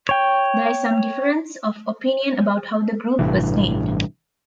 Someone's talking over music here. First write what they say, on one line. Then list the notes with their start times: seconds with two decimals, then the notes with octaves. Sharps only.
There is some difference of opinion about how the group was named.
0.09 C#5 G5
3.19 A1 G2 C3 E3